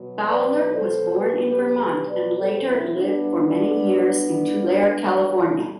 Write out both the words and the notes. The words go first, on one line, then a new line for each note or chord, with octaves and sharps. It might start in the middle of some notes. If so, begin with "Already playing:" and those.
Fowler was born in Vermont and later lived for many years in Tulare, California.
Already playing: B2 F#3
B4 D5
A4 C5
G4 B4
G4 B4
G4 B4
B4 D5
A4 C5
C4 E4
A2 G3 B3 D4